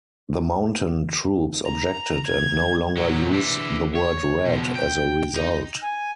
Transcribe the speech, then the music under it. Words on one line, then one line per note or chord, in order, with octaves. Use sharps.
The mountain troops objected, and no longer use the word 'red' as a result.
A#5
G#6
A#2 F#3
E3 D4
C#5
B2 F3
G5
D#4
G#5